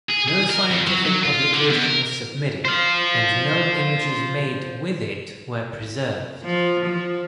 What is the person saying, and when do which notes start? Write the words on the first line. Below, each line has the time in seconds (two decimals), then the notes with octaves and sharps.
No scientific publication was submitted and no images made with it were preserved.
0.09 G#4
0.28 G#4
0.50 A#4
0.71 F2
0.87 F#3
1.05 F#3
1.24 F4
1.54 D3
1.70 E2
1.85 A#4
2.65 C5 F5
6.44 F3
6.86 F3